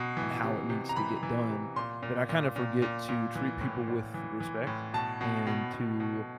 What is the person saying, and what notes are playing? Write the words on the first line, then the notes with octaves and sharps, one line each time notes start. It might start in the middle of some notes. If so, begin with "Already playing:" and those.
and how it needs to get done, that I kind of forget to treat people with respect, and to
Already playing: B2
E3
C3
C3
A#5
E3 B5
E3
C3
A#2 C6
A#2
A#2
A#2
A#2
A#2
E3
A2
A2
E3
E3
A2
B2 A5
B2
B2
B2
B2